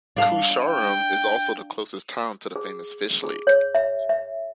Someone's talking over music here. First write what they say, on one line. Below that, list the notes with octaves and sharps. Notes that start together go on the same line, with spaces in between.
Koosharem is also the closest town to the famous Fish Lake.
D4 F5
G5
G#4
G#4
C#5
E5
E5